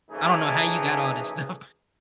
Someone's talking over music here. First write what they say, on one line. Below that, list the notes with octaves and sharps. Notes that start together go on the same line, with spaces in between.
I don't know how you got all this stuff
G#1 C#3 E3 A3 D#4 G#4